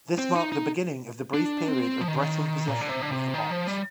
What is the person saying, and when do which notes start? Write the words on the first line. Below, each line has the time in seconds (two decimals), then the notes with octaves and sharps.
This marked the beginning of the brief period of Breton possession of the Mont.
0.18 C4
0.35 D#4
0.52 D#4
1.34 D4
1.68 C4
2.01 F3
2.08 D#3
2.16 D3
2.22 D#3
2.68 A#2
2.81 D3
2.89 C3
3.02 D3
3.11 C3
3.34 D#3
3.51 F3
3.67 G3